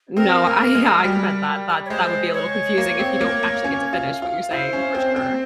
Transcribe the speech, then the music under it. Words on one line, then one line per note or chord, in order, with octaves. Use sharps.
No, I yeah. I can bet that that that would be a little confusing if you don't actually get to finish what you're saying for sure.
C4 A#4
A#3
G#3
G3
C#5
G#3 C5
C#5
A#3
C4
A#3
A#3
C#4
F4
F4
E4 C5
C#4
C4
C4